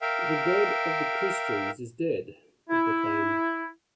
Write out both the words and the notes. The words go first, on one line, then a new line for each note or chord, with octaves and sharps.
"The God of the Christians is dead," he proclaimed.
A#4 E5 F5 G5
E4